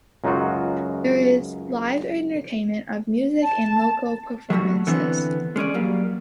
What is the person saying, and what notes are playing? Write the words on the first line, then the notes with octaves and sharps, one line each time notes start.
There is live entertainment of music and local performances.
C#2 F#2 F#3 D#4 F4 F#4
A5
F#3 G3 A3 F#4
D3 E3 B3 C4
G#3 C#4 G#4 D5
F#3 G3 A#3